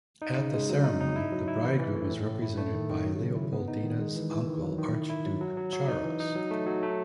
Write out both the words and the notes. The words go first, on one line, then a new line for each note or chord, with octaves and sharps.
At the ceremony the bridegroom was represented by Leopoldina's uncle, Archduke Charles.
D#4
C#3
G#3
F#3
D#4
D#4
E4
F#3
E4
E3
E3
A3
A2
A2
E4
A3
D#3
D#3
F#3
C#3
E4
B3
D#4
D#3
G#3
E3
E3
D#3
F#3
D#3
E4
E4
F#3
F#3
F#3
F#3
D#4
E3
D#4
F#3
A3
F#3
A3